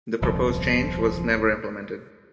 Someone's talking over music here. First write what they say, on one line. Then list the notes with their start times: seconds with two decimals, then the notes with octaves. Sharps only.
The proposed change was never implemented.
0.22 D#1 C2 C#3 F3